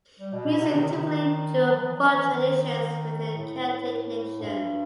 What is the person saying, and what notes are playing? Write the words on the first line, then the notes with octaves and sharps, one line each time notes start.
Music typically drew on folk traditions within the Celtic nations.
G3
B2
B2
C3
D#3
C3
D#3
F#3
E3
F#3
E3
D#3
A2
G2